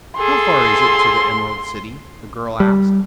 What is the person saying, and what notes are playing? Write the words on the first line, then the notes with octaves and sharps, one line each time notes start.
"How far is it to the Emerald City?" the girl asked.
G#4 A4 C6
G3